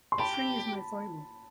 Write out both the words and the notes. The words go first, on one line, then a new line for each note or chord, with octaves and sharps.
String is my foible.
C6
G4 A5 B5